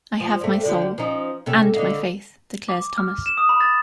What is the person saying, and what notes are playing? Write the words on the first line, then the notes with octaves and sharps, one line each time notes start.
"I have my soul...and my faith," declares Thomas.
F3
G2 A3
D3 F3 G3
F3 C#4 D#4
C3 C#4 A4
D3 D#4 F5
D6
F6
E7
D#6
B5
A6